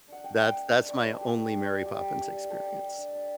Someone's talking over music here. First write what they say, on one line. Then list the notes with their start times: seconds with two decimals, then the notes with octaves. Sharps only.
That's that's my only Mary Poppins experience.
0.08 D4 F#5
0.24 D4 G5
0.40 A3 F#5
0.56 D4
0.73 D4
0.89 C4 D5
0.97 C5
1.05 G3 B4
1.13 A4
1.21 E4 G4
1.37 E4
1.53 G3
1.70 G3
1.85 E4 G4
2.01 E4
2.18 D4
2.34 G3
2.50 G3 A4
2.66 D4
2.83 G3
2.98 D4
3.15 D4